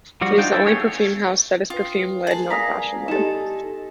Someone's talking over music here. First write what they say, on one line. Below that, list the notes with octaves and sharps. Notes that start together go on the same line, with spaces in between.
It is the only perfume house that is perfume led, not fashion led.
F3 G3 F#4
D4 D#4 F4 G5
E4 F#4 A4
B3 G4 G#4 C#5
F4 B4 G5 D#6
G#4 A#4 A5
B3 D5 F5 G#5 A#5 D#6 A#6 B6
D#4 G4 A4 E7